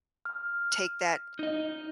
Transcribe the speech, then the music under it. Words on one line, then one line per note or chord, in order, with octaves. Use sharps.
take that
F6
D#4 D#5